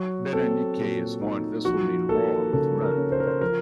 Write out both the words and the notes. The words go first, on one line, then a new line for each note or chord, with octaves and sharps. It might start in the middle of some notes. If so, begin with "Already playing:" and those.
Berenice is warned this will mean war with Rome.
Already playing: F#3 F#4
C4 A4
A#2
D#4
F3 F#4
A#3 A4
C#3 A4
A#4
C#4
C5
A#4
C5
F3 A#4